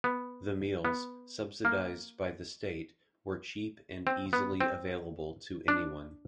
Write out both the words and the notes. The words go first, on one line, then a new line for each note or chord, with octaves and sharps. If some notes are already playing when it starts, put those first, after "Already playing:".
The meals, subsidized by the state, were cheap and easily available to anyone.
B3
B3
A#3
C4
B3
C4
D4